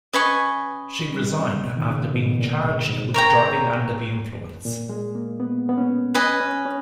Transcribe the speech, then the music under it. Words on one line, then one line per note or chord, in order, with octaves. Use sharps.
She resigned after being charged with driving under the influence.
C#4 B4 D#5 G#5 C#6
G3
C#3
B2
D#3
C#3
B2
A#2
G#2
G#2
A#4 C#5 G5 A#5
A#2
G#3
A#3
B3
B3
C#4
C#4 B4 D#5 G#5
C#4
C#4